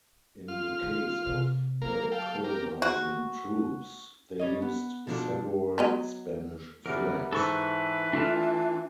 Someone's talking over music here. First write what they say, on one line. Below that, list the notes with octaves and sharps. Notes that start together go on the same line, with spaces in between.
In the case of the colonizing troops, they used several Spanish flags.
F4 F6
D#3
C3
F#3 A#3 A#4
A4 F5 G5
G4 A#4
F#4
G3 C#5 D#5
B3
B2 F3 D4 A4
F#3 B3 D#5
E2 D3 G3 B3 A#4
G#2 E3 A4 B4 C#6 E6
A3 D4 F4 A4 A5 F6